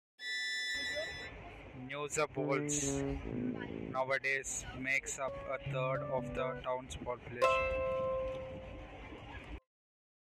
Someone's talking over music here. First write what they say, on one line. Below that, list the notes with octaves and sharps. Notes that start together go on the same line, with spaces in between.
Neugablonz nowadays makes up a third of the town's population.
A6 B6
D3
C#3
A1
A1
C#5
C#3
D5
B3
B4
C5 E5